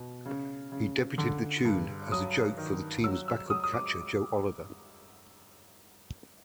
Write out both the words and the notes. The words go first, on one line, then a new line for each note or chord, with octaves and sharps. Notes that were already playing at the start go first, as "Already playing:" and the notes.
He debuted the tune as a joke for the team's backup catcher, Joe Oliver.
Already playing: B2
C#3
C#3
D3
G2
F#3 D#6
D#3
F#3 E6
E6
F#3 D#6
D#6
D6